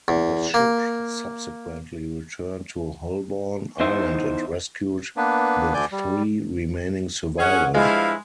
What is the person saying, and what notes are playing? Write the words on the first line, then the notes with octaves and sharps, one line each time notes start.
The ship subsequently returned to Holbourne Island and rescued the three remaining survivors.
E2
A#3
E2 D#4 C5 E5
A#3 B3 D4 B4
D2 D3 D5 G#5 G6
G3
C#4 G#4 F#5
G2 F3 G#3 E4 F5